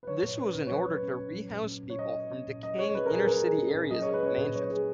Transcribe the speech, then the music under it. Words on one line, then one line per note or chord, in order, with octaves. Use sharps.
This was in order to rehouse people from decaying inner city areas of Manchester.
B4
F#3 C#5
A#2
C#5
C#4 B4
A#2
C#5
F#3 B4
A#2 B4
C#4
A#2
F#3
A#2
C#4
A#2
C#5
F#3 D#5
A#2
C#4
A#2
F#3 D#5
G#4 C#5
C#4 B4
A#4
A#2 G#4
F#3 A#4
G#4
C#4
A#2
F#3 D#5
G#4 C#5
B4
C#4 C#5
A#2
B4
F#3 C#5
G#4